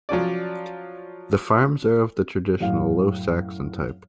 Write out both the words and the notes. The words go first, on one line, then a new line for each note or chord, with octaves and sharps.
The farms are of the traditional Low Saxon type.
F3 F#3 C#4 D5
F#2 A2 F5